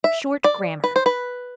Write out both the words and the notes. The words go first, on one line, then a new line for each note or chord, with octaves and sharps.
Short Grammar.
E5
D5
B4
C5
B4